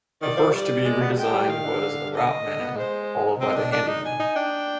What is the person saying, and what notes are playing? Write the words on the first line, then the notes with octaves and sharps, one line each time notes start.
The first to be redesigned was the Routeman, followed by the Handyman.
D#3 D5
F3
G3 D5
G#3
B3
G3
G#3 G5
G3
D#3 F5
D3
D3
D#5
D3
B3
G#3 C5
C4 D#5
D4
D4
D#4
G#5
D#4
D4 G5